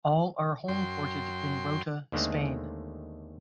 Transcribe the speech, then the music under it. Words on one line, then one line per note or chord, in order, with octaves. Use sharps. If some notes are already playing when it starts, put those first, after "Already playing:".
All are homeported in Rota, Spain.
F#2 G5 C6
D#2 D3 D#3 G#3 A3 C4